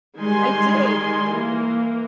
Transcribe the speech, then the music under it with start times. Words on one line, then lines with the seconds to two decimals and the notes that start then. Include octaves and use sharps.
I did.
0.19 D#3 G3 G#3 G#5 C6
1.30 E3 A#3